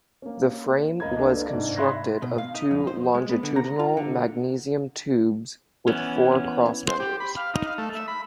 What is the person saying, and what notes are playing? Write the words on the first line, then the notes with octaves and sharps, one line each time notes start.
The frame was constructed of two longitudinal magnesium tubes with four crossmembers.
A#3 C#4
C#2 A#4 D#5 A#5 B5 G#6
A#3 D4 A4 B4
G#2 C3 D4 D5 D#5
E5 B5 C6 F#6 G#6 A#6
B2
F5
D#4
F2
C5
G#3
B3
D3
A#5
F4
D3
E3 B3 C#4
C5
G4
B5
F5
D#4
F5
A3
E5
B5